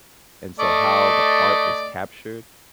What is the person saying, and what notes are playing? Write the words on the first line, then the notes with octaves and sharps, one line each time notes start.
and so how the art is captured,
A3 D5 D#5